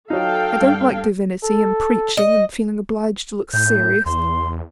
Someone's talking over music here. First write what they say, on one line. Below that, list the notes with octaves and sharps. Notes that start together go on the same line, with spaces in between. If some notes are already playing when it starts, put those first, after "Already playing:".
I don't like divinity, and preaching, and feeling obliged to look serious.
F#3 D#4 A4 F5 G5
G2
A4
D#5
A2 G6
E2 C6